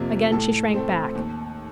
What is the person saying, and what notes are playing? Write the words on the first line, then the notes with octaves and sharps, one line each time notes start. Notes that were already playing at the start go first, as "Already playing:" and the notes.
Again she shrank back.
Already playing: F2 C3 F3 A#3
A2 A4
A3 C4
D#2